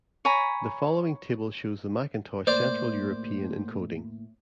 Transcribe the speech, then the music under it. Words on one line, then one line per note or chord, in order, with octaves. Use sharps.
The following table shows the Macintosh Central European encoding.
C#5 G#5 A#5 B5
A2 A#3 C5 D5